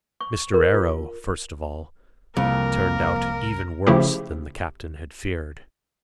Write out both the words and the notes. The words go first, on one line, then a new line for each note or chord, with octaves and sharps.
Mr. Arrow, first of all, turned out even worse than the captain had feared.
C#6
A#4
F4
C2 F2 A#3 A#4
C#3 F3 A3 E4 G4